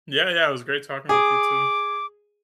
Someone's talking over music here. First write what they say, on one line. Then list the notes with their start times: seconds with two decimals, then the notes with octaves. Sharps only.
Yeah, yeah. It was great talking with you, too.
1.09 G#4 D6